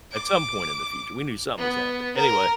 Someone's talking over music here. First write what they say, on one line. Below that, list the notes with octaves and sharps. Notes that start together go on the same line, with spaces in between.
at some point in the future- we knew something has happened. Anyway,
D6
B3
A#4